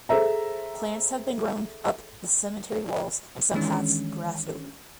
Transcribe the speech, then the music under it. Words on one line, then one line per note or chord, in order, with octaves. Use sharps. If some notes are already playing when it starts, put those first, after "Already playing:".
Plants have been grown up the cemetery walls and some paths grassed over.
G#4 A4 C5 E5 A#5
D#3 E3 G#3 C#4 D4